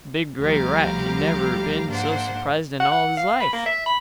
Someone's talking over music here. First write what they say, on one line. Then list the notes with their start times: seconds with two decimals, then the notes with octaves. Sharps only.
The big grey rat had never been so surprised in all his life.
0.41 D2 F3 G3 G4 F5 A#5
1.86 G#2 A#3 D4 C5 F#5
2.80 F#5
2.92 F#5
3.17 F5
3.40 B5
3.53 A#3
3.66 E5
3.86 B5